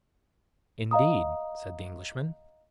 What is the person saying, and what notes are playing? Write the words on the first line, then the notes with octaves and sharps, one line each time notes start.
"Indeed!" said the Englishman.
D#5 F5 A#5 D#6